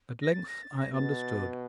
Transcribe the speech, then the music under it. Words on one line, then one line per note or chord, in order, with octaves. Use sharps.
At length I understood.
A#6
A6
A#6
A6
A#6
B2 A6